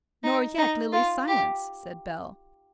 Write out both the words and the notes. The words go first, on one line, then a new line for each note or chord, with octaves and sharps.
"Nor yet Lily's silence," said Bell.
D#4
D#4
F4
G4